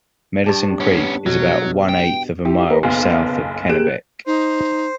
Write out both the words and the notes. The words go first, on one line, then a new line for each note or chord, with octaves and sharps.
Medicine Creek is about one eighth of a mile south of Kennebec.
G2 D4 G5
B3 C#4
B2 F#3
G5
E4 G4
A#3 A#4 B4
F#1 B1 B3 F5
A#3 G4 G#4 F#6 D7 E7
D#4 C5